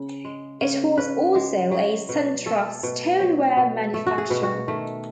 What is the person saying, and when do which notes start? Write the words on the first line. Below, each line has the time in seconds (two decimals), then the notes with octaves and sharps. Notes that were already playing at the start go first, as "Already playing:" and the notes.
It was also a center of stoneware manufacture.
Already playing: C#3
0.25 G#3
0.61 C#3
0.98 C#3 B4
1.35 G#3
1.71 F#3
2.09 B2
2.46 A3 A4
2.83 B2
3.20 F#3
3.57 B2
3.94 A3 A4
4.06 F#4
4.18 G#4
4.30 B2
4.43 F#4
4.68 D#3 A3